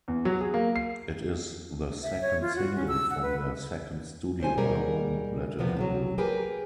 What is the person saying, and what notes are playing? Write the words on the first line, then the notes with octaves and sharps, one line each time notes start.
It is the second single from their second studio album "Let It Roll".
E2
F#3
G#4
A#3
C7
E5
C#5
F4
F#4
C#4
E6
F#5
B4
G3 C#4 C5 G#5
B2 G3 G#4 A#4
E2 C3 F3 B3
C3 E3 F#3
A#3 G4 G#4 A#4 B4